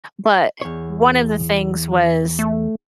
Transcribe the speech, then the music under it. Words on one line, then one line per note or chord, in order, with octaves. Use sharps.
But, uh, one of the things was
E2 C#5
A3